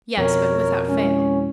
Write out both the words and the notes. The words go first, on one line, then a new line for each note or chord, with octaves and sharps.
"Yes; but without fail."
F2 B2 A#4 C#5
G#3 C#4 E4